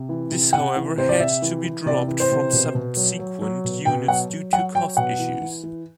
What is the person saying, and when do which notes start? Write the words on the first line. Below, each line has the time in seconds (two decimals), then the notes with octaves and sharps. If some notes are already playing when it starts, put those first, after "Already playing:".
This however had to be dropped from subsequent units due to cost issues.
Already playing: C3
0.09 E3
0.32 C3
0.53 C3 F#5
0.76 E3
0.97 C3 C5
1.09 D5
1.19 C3 E5
1.42 E3
1.64 E3
1.86 C3 D5
2.08 E3
2.20 C5
2.31 C3
2.53 B2
2.75 B2
2.97 F#3
3.19 F#3
3.42 F#3
3.64 B2
3.85 B2 G5
4.08 F#3 F#5
4.30 F#3
4.53 F#3 F#5
4.75 F#3 G5
4.97 B2 F#5
5.19 E3
5.42 E3
5.63 E3